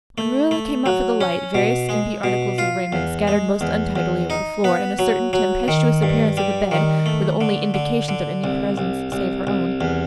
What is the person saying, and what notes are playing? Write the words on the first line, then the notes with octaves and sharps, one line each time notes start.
When Marilla came up for the light various skimpy articles of raiment scattered most untidily over the floor and a certain tempestuous appearance of the bed were the only indications of any presence save her own.
A3
A3
F#3
C#4
B2
G#3
B2
F4
E2
G#3
E2
E2
D#4
B3
F#3
F#3
D#3
G2
G3
D#3
A3
D3
D3
D3
C2
C2
C2
C2
E2